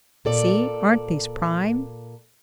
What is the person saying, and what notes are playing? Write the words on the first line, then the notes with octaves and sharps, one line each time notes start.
"See--aren't these prime!"
A#2 A4 D5